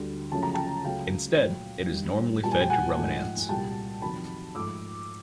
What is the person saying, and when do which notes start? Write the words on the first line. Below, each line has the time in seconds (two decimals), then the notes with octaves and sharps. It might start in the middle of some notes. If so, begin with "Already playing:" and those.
Instead, it is normally fed to ruminants.
Already playing: D2 D3 G3
0.32 F#2 C#3 F3 A3 A5
0.43 A#5
0.54 G5 A5
0.84 C#2 C#3 F#3 A3 F5 G5
1.38 A#2 F#3 A3
1.91 G2 D#3 G3
2.43 A#2 G3 A5
2.52 G#5
2.61 G5
2.70 F#5 G#5
2.97 G#2 F3 A3
3.49 C2 A#2 G3 G5 A5
4.02 F2 C3 D#3 F#3 A5 B5
4.55 G#2 F3 A3 D6 E6